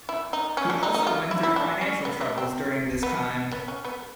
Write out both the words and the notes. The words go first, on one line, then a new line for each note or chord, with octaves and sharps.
He also went through financial troubles during this time.
E4
D#4
C#4
D4
D#4
D#4
F4
E4
E4
D4
C#4
B3
B3
C4
B3
B3
C#4
B3